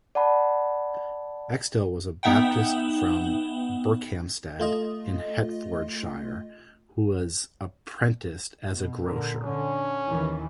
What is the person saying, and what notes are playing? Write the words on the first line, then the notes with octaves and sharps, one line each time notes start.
Axtell was a Baptist from Berkhamsted in Hertfordshire, who was apprenticed as a grocer.
D5 F#5 A5 B5
B3 D#4 E5 F#5 G5
A3 F4 D#5
B2
A#2 D3 A#4
D3 C#4
D#2 D#3 E3